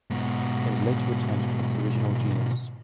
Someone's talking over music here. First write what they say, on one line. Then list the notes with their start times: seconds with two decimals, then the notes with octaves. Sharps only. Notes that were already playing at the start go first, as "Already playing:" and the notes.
It was later returned to its original genus.
0.10 G#2 B2